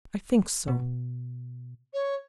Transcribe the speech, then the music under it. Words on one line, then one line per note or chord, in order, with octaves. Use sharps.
I think so.
B2
C#5